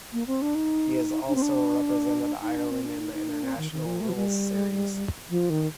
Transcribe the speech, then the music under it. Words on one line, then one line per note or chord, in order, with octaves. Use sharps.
He has also represented Ireland in the International Rules Series.
A#3
C4
D4
D#4
D4
C4
D4
D#4
D4
C4
D4
D#4
D#4
D4
C4
D#3
D#3
F3
A3
F3
G3
F3
D#3